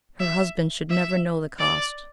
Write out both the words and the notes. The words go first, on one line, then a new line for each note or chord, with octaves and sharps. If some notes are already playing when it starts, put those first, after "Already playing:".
Her husband should never know the cost.
E5
E5
D5